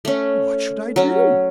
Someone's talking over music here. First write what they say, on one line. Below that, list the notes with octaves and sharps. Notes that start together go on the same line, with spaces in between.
What should I do?
A3 C#4
F#3 C#4